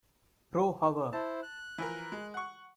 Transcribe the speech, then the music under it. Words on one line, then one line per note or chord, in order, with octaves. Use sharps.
Pro Hour.
E4 C5 A5
F#6
E3 F3 A#4
G#3
F#5 C#6